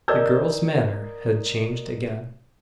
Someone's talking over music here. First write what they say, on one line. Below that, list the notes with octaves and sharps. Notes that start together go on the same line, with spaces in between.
The girl's manner had changed again.
A#4 D5 D#5 E6 G6 G#6